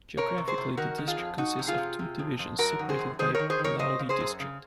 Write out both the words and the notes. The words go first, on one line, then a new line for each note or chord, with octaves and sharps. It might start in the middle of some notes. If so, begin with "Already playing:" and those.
Geographically, the district consists of two divisions separated by Palauli district.
C3 A#4 C#5
C3
G#4 C5
C3
D#3 F#4 A#4
D#3
F4 G#4
F2
F2 D#4 F#4
C3
F4 G#4
C3
C3
F2
F2
F#2 F#4 A#4
D#3
G#4 C5
F#2
D#3 G#4 C5
D#3 A#4 C#5
G#4 C5
D#3
A#4 C#5
C#3 C5 D#5
C#3
G#4 C5
F#2
C#3